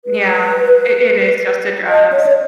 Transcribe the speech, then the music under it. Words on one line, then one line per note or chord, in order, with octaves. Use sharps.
Yeah. I it is just a dress.
B4
D#5
C#5
D#5
C#5